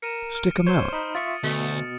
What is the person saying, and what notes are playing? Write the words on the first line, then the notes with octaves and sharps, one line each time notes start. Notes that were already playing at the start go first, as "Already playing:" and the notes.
Stick 'em out.
A#4 C#7 D#7 E7
F6 D7
C5 C#5
D#4 B5 D#6
F4 E5 C#6 A6 C#7
D2 B2 A3